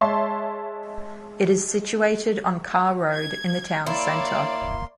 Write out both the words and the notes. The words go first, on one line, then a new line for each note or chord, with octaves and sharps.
It is situated on Carr Road in the town centre.
G#3 C#5 E5 A5 C6
G#6
A#3 E4 C#5 D5 C6